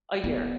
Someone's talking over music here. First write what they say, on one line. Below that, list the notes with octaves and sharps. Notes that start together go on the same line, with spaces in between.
A year.
B3